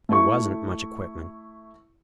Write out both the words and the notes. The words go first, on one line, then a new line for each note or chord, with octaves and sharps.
There wasn't much equipment.
A3 E4 C#6